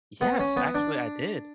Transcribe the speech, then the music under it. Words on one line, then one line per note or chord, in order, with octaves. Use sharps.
Yes, actually, I did.
B3
C#4
B3
D4